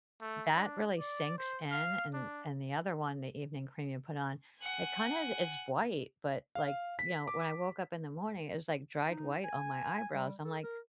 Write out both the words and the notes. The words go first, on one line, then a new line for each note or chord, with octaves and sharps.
that really sinks in and and the other one, the evening cream you put on, it kind of is bright but like, you know, when I woke up in the morning it was like dried white on my eyebrows. I'm like,
A3
D4
D5
C5
F5
D4
F#5 G#5
F5
B6
D6
D#4
G#5
G3
A4
A#4